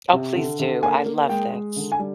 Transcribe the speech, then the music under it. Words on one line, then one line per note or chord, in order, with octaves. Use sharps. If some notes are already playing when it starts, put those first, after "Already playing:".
Oh, please do, I love this.
C3
D3
D3
A#3 G#5
A#3
G#3 G5
G#3
D3
G#5
G3